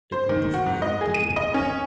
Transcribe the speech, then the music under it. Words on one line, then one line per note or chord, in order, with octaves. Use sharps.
A group of men play rugby.
C5
D#3
F#4
G#2
D#5
G#4
D#7
D#5
C#4